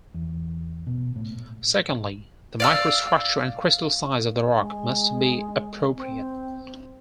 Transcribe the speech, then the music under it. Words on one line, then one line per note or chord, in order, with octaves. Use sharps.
Secondly, the microstructure and crystal size of the rock must be appropriate.
E2
B2
A2
D5 F5 E6
G#3
C4